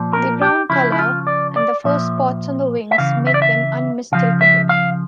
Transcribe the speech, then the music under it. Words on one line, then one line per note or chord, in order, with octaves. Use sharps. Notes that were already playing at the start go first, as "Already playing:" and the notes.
The brown colour and the four spots on the wings make them unmistakable.
Already playing: A#2 F3
A#4
G4
C#3 F3 E4
E4
F4
D5
D5
A#2 F3 E5
E5
C#3 E3 F5
E5
D5
E5
C#3 F3 F5
E5
F5